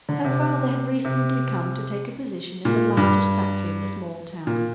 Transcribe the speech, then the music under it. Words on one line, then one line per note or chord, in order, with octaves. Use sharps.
Her father had recently come to take a position in the largest factory of the small town.
D3
C3
C3
A#2
G2
A#2